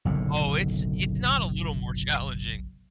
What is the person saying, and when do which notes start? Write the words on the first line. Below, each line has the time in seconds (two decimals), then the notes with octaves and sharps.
Oh, it's it's not a little more challenging.
0.05 F#1 B1 A2 D3